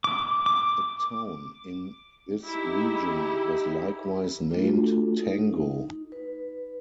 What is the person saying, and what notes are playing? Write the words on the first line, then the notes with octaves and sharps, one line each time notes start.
A town in this region was likewise named "Tango".
D6
D6
D#4 E4 G4 G#4
A3 D4 F4 F#4 A4
D#4
B4